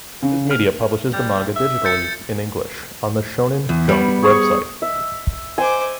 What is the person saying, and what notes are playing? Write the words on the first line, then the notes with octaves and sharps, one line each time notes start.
Viz Media publishes the manga digitally in English on its "Shonen Jump" website.
C#3
F6
G3
E5
G6 A6 C#7
E2
G3 B3
G#4 C#6
E5
C5 G#5 D6